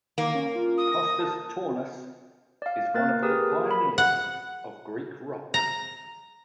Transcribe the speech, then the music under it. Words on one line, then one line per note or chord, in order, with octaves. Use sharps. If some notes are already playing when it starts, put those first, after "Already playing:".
Kostas Tournas is one of the pioneers of Greek rock.
D#3 A#3
C#4
F4
D#6
A#6
A5
D5 F5
A#3 A#4 F#6 A6
G4 G#4 A#4 B4 D#6
B5
F#5
A#5